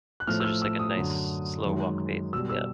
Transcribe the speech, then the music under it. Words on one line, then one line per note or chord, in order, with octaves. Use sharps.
So just, like, a nice slow walk pace, yeah.
F#6
A2 F3 A3 F6
E6
F6
E6
D#6
F#2 D3 F#3
F#2 D#3 G#3
B2 G3 E6
E6